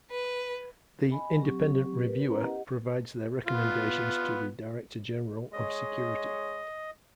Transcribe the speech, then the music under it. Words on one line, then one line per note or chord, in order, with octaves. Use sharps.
The Independent Reviewer provides their recommendations to the Director-General of Security.
B4
D#5 G#5 B5
F#3 C4 G4 C#6
G4 A#4 B4
B3 C#4 E4 A#4 B4 A#5
G4 D#5 F#5
B3 F4
G#3 C#5 D#5